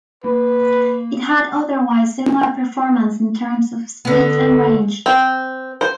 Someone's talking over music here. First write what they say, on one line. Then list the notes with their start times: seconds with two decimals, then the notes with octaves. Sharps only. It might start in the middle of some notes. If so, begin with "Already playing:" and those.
It had otherwise similar performance in terms of speed and range.
0.24 A#3 B4
4.05 D3 B3
5.06 C4
5.81 C5